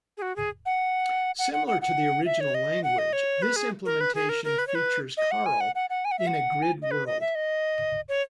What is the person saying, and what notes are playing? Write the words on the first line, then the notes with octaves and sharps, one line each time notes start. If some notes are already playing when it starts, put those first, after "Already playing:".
Similar to the original language, this implementation features Karel in a grid world.
G#4
F#4
G#4
F#5
F#5
F#5
F#5
F#5
E5
C#5
D#5
F#5
D#5
C#5
B4
G#4
A#4
B4
G#4
A#4
A#4
B4
C#5
B4
D#5
F#5
G#5
F#5
F#5
F#5
G#5
F#5
E5
F#5
G#5
D#5
B4
D#5
E5
D#5
C#5